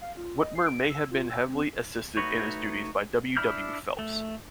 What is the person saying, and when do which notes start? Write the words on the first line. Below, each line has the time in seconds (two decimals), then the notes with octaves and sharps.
Whitmer may have been heavily assisted in his duties by W. W. Phelps.
0.01 F5
0.17 F4
0.39 D#5
0.55 C7
0.66 D7
0.90 E6
1.11 F4
1.30 E6
1.48 C4
2.17 A3 D#4 F#4 B4 C#5
3.37 D4 E4 B5 F6 G6
3.99 A3